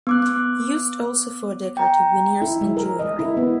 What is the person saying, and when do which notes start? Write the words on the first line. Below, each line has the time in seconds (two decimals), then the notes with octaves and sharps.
Used also for decorative veneers and joinery.
0.07 B3 D6 F#6
1.77 G5 A#5
2.42 E4
2.61 G#3
2.77 A#4
2.99 D#5
3.19 E4
3.37 B3